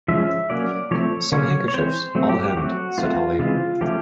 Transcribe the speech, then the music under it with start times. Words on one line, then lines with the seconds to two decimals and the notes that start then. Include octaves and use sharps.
"Some handkerchiefs, all hemmed," said Hollie.
0.08 F3 G#3 C#4 E5
0.50 F#3 A#3 C#4 D5
0.91 F3 A3 C4 C#5
1.32 C#3 F#3 A#3 C#4 C#5
1.68 C#5
1.74 E3 G#3 C4 C5
2.15 F#3 A3 C4
2.29 G4
2.43 G4
2.57 F#3 A3 C4 F#4
2.98 F#3 A3 C4 F4
3.39 C#3 E3 G#3 C4 F4
3.81 F3 A3 C#4 G4